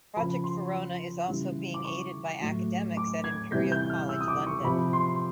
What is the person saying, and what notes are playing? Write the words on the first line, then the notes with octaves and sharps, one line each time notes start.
Project Verona is also being aided by academics at Imperial College London.
C#3 F3 B5
C6
C#3 E3 G3
D6
C#6
A2 F#3
D6
G#6
C3 E3 G3 G6
G6
F6
E6
D#6
D6
C#6
C3 F3 B5
C6